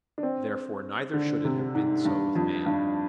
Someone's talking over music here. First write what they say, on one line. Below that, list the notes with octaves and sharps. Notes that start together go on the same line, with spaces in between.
Therefore neither should it have been so with man.
D4
C4
D3
C3
G#2
G2
F2
G2